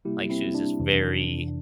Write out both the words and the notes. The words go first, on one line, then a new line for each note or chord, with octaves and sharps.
Like, she was just very,
C3 G3 A#3 E4 G4
C4 E4
D4
F2 C3 E3